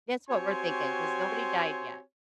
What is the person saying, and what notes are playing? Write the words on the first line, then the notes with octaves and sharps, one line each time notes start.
That's what we're thinking 'cause nobody died yet.
C4 F#4 G4 C#5 G#5 C6